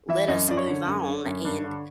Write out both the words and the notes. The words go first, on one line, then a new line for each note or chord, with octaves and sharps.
let us move on, and
E3 E5
F#2 D#5
F#2 D5
C#5
D3
F#2
D3
F#2
G2
D3